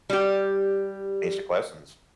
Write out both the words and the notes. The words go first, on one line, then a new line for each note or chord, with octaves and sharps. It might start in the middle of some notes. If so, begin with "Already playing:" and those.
basic lessons,
G3 G4